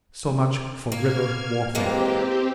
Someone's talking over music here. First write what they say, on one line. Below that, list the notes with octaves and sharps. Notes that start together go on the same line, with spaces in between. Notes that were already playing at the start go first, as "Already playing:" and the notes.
So much for river warfare.
A#3 F6 G#6
E3 G#3 A#3 C4 G4